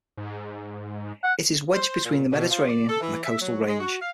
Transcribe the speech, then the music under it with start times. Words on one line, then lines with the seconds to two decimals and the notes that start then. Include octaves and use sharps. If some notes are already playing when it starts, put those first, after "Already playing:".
It is wedged between the Mediterranean and the coastal range.
0.17 G#2
1.24 F#5
1.73 C5
2.04 A#2
2.30 B2
2.49 F3
2.67 D5
2.88 A4
3.01 E3
3.23 E5
3.41 F#3
3.66 G#3
3.79 F#4
4.00 F5